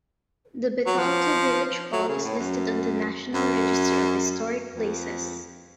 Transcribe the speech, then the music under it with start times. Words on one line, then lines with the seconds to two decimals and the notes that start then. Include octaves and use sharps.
The Bethalto Village Hall is listed on the National Register of Historic Places.
0.86 F#3
0.98 F3
1.93 F#3
2.09 C#3
2.24 A2
2.39 F#2
3.34 F#2
4.75 F2